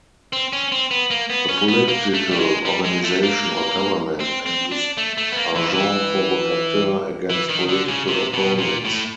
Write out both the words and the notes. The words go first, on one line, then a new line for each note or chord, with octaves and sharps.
A political organization or government may use agents provocateurs against political opponents.
C4
C#4
C4
B3
A#3
B3
C#4
B3
A#3
A3
G3
G#3
G3
G#3
A3
A#3
C4
C4
D4
A3
A3
B3
A#3
E3
F3
E3
E3
D#3
D3
C#3
C3
B2
A#2
A2